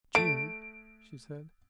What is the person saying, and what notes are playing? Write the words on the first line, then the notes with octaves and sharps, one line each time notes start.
"Jude," she said.
A3 D7